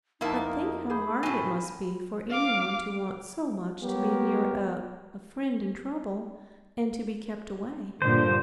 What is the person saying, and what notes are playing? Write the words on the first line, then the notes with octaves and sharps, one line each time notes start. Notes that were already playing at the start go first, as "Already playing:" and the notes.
"But think how hard it must be for any one to want so much to be near a--a friend in trouble, and to be kept away."
F2 A#3 D#4 E4 A5
G#4 C5 B5
A2 F#3 G#5 A5
F5 D6
G3 B3 G4 A#4 C#5
G2 A#2 D3 C5